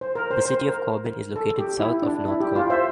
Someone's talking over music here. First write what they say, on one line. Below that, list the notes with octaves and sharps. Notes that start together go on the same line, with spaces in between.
The city of Corbin is located south of North Corbin.
C5
A#4
C5
C5
A#4
A4
G4
E4
D4
E4
G4
F4
C5 E5